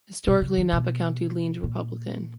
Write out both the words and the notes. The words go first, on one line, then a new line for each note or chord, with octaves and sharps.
Historically, Napa County leaned Republican.
B2
C#3
D#3
B2
A#2